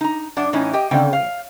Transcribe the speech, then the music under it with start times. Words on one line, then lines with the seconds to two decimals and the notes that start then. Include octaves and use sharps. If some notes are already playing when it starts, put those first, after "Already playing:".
Oh, yeah.
0.01 D#4 A#5
0.36 F#2 D4 D5 F#5
0.53 A2 E3 C#4 D#4
0.73 G4 D#5 G5
0.91 C#3 C4 G5
1.13 F5